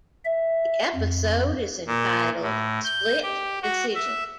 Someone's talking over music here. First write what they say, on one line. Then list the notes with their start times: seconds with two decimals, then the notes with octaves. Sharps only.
The episode is entitled "Split Decision".
0.25 E5
0.95 F2
1.87 A#2
2.42 A2
2.84 G6
3.23 G4
3.62 F#4
3.95 E5